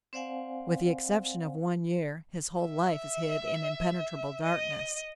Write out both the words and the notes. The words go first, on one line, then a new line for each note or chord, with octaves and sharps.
With the exception of one year, his whole life is hid in impenetrable darkness.
C4 C5 D5 F5 F#5 G#5
E5
D#5